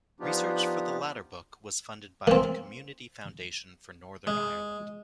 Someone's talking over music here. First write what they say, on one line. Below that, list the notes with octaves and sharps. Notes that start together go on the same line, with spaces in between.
Research for the latter book was funded by the Community Foundation for Northern Ireland.
F3 B3 D4 D#4 F4 G4
A#3 C4
G#3